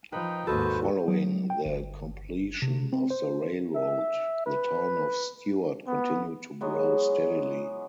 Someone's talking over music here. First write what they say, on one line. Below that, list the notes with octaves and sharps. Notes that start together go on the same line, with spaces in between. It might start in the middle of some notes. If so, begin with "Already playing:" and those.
Following the completion of the railroad, the town of Stuart continued to grow steadily.
F3 D#4 B4 G5
D#2 G#2 F#4 A4 B4 C5 D#5
F#3
G5
G1
C3
C4
C5
E5
B4
B3
E3 F#3 G#3 B3